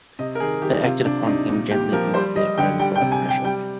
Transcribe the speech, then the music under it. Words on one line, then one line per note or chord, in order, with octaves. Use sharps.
They acted upon him gently with their own bright pressure.
C3 D#5
A#4
D#3 G#4
D#3 G4
C3 F4
C3 D4
D#4
C3 D4
A#2 D#4
A#2 G4
F3 A#4
G3 C5
G3 D#5
D3 G5
G3 G5
G5
C3
G#5
G3
G5
G3 G5